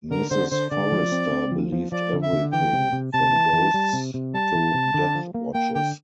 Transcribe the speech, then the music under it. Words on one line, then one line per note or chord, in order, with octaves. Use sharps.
Mrs Forrester believed everything, from ghosts to death-watches.
D3 A#4
D3 C5
D3 C5
D3 D5
F3
C4
C4
F3
F3
F3 D5
D3
E5
D3
E3 G5
C3
C3
C3 A5
E3
E3
G3
C3
C3
G3 A5
E3
C3
D3
F3
A#3
A#3 G5
D3 G5